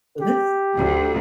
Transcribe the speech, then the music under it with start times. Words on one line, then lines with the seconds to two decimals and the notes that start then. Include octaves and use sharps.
So that's t
0.22 G4
0.75 D2